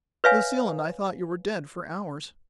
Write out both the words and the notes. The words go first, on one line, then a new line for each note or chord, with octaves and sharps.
Lucille and I thought you were dead for hours.
B4 C#5 E5 F5 G#5